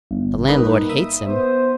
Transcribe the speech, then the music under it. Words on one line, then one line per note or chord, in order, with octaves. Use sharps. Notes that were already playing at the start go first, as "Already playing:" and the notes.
The landlord hates him.
G1
A#3 D#4 B4
E5 D#6
B3 C5